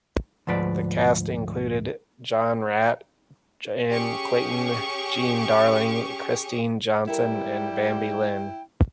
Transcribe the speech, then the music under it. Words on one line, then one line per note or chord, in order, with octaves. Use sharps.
The cast included John Raitt, Jan Clayton, Jean Darling, Christine Johnson and Bambi Linn.
D2 G#2 F3 B4 D5
C#4 G4 G#4 C#6
G3 E4 G4 A4 A#4 G5